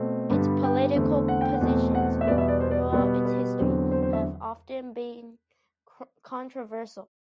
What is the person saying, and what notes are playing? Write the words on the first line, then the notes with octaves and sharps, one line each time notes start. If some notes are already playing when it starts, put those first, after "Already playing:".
Its political positions throughout its history have often been controversial.
Already playing: B2 A3 C4
G2 D3 G3 B3
G5
E2 D3 A3 C4
F#5
G5
F#5
E2 B2 A3 C4
F#5
E5
E2 B2 G3 B3 D5
E5
D5
C5
D5
B2 G3 B3 D5
B4
E2 D3 F#3 C4
C5
C5
E5